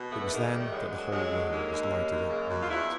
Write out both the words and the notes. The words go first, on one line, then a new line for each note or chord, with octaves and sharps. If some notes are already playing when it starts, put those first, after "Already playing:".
It was then that the whole world was lighted up under it.
Already playing: B2
E2 A3 B3
D#3 G#3 A#3
G3 A3
D#3
G3 A3
F#2 F#3 G#3
F#2
F2 F#3 G#3
D3
D#2 G#3 A#3
D#2
C#3
F#2
C#3
F#2
F4
E2 D4 E4